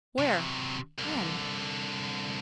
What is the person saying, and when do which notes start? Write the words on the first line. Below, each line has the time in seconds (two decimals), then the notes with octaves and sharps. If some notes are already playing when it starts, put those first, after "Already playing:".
"Where? When?"
0.18 C3 F#3
0.99 C2 D3